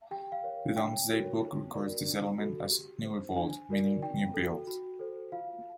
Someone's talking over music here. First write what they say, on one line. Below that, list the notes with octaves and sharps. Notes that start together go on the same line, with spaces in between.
The Domesday Book records the settlement as "Niwebold" meaning 'New Build'.
G4 G5
F5
A#4 C#5
D4 G5
F#4 A#4 C#5
D#4
F#4 A#4 D5
D4
F#4 A4
G4
C5
D4 G#5
F#4 A#4 D5
D#4 G5
F#4 A4
F#4
A4 C5
F4 F5